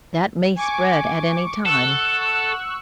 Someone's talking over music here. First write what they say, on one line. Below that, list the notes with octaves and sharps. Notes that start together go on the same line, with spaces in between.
That may spread at any time.
G#5 C#6 D6
A4 F#5 C#6 E6 F#6